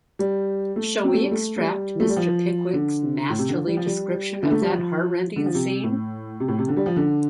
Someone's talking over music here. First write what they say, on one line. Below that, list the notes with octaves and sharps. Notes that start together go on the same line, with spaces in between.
Shall we extract Mr. Pickwick’s masterly description of that heartrending scene?
G3
A3
C4
A3
G3
A3
A3
G3
A3
G3
F3
D3
A2
C3
D3
F3
G3
F3
G3
D3
A3
G3
F3
D3
F3
C3
A2
C3
A2
C3
D3
G3
F3
D3